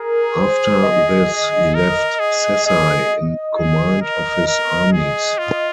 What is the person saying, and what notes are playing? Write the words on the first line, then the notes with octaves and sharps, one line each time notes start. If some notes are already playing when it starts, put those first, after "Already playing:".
After this, he left Sessai in command of his armies.
Already playing: G#4 A#4
C5
D#5
A#4
G#4
G#4 D#5
G#4
A#4
A#4
G#4
F4